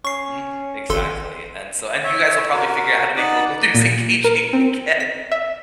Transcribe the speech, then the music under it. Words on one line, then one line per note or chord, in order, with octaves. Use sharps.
Mhm, exactly, and so and you guys will probably figure out how to make local news engaging again.
C#4 C#6 C7
G#1 A4 C6
C#5 E5
F#4 A#4
D#4 D5 F#5
A#2
A#4
C4
B6
E5